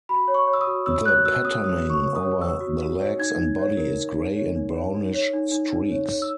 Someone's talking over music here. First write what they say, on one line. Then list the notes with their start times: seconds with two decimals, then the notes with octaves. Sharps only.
The patterning over the legs and body is grey and brownish streaks.
0.09 F#4 B5
0.28 C#5
0.34 C#6
0.47 C#5
0.53 E6
0.61 D#6
0.67 F#4
0.86 C#5 E6
1.05 C#5 F#6
1.25 F#4 E6
1.45 C#5 D#6
1.64 C#5 D#6
1.83 F#4
1.90 C#6
2.03 C#5
2.16 D#6
2.23 C#5
2.41 C#5 E6
2.60 F#4
2.81 F#4
3.00 C#5
3.19 D#4 G#6
3.38 D#4
3.59 C#5
3.77 A#4
3.97 D#4
4.17 D#4
4.36 C#5
4.56 D#4
4.75 C#5
4.95 D#4
5.14 C#5
5.33 D#4
5.52 D#4
5.72 D#4
5.92 C#5
6.10 C#5
6.22 E6